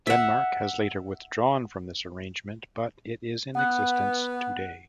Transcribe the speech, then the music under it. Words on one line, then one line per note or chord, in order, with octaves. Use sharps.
Denmark has later withdrawn from this arrangement but it is in existence today.
E5 F#5
B3 F#5 F#6